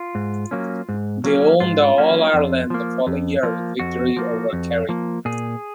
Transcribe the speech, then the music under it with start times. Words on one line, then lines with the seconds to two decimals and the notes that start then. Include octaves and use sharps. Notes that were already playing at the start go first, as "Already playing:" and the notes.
They won the All-Ireland the following year with victory over Kerry.
Already playing: F4
0.15 G#2
0.51 F#3 A#3 C#4
0.89 G#2
1.24 F#3 A#3 C#4
1.60 G#2 F4
1.98 F#3 A#3 C#4
2.34 F2
2.70 F3 A#3
3.07 F2
3.43 F3 A#3
3.79 F2 F#4
4.17 F3 A#3
4.53 F2
4.89 F3 A#3
5.25 A#2 G#4